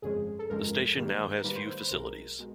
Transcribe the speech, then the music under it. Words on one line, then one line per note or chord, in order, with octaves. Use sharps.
The station now has few facilities.
G1 F2 C#3 F3 G#3 G#4
A4
G1 F2 C#3 F3 G#3 A#4
G#2 D#3 G3 A#3
A#4
G#2 D#3 G3 A#3 B4
C5
C5
B4
B1 B2 G#3 A#4
B2 G#3